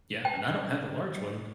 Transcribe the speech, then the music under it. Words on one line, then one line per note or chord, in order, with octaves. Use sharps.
Yeah, and I don't have the large one.
G5